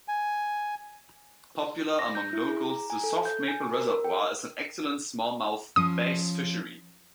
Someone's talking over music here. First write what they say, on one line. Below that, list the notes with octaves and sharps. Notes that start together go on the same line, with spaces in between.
Popular among locals, the Soft Maple Reservoir is an excellent Smallmouth Bass fishery.
G#5
A#6
G6
E4
G#4
A#5
G#5
A4
G6
G#5
A#4
A#4
G5
F3 C#4 D#6